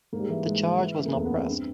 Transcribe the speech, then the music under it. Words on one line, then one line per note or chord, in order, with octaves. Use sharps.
The charge was not pressed.
G#2 A#3
G3
G#3
E3
G#2 G#3
E3
E3
C#3
A#3
E2 A3
B3
E2
C4
G2 C4